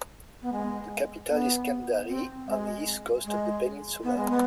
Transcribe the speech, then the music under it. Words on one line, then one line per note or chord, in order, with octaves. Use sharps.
The capital is Kendari, on the east coast of the peninsula.
B3
G#3
B3
C4
G#3
G#3
B3
G#3
B3